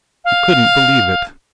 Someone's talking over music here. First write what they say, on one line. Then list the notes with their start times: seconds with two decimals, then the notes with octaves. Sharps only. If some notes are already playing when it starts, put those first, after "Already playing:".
She couldn't believe it.
0.25 F5